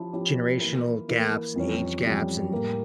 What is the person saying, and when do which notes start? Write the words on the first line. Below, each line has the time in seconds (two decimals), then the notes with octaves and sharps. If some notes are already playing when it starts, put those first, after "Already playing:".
generational gaps, and age gaps, and,
Already playing: F3 C#4 E4 G4
0.13 F3 C#4 E4 G4
0.60 E3 A#3 E4 A#4
1.08 E3 A#3 E4 A#4
1.56 F2 E3 G3 C#4
2.04 F2 E3 G3 C#4
2.52 A2 G3 A#3